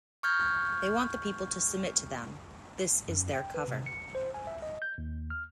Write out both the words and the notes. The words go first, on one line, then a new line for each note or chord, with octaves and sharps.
They want the people to submit to them, this is their cover.
C#6 F6 G6 G#6
F#2
G5
B4
C3
C#7
C5
G#5
E5
D#5
G6
D#2
F6